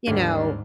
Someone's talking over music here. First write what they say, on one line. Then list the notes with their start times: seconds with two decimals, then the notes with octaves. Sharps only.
you know
0.07 D#2 G#2 D3 G3 A#3 D4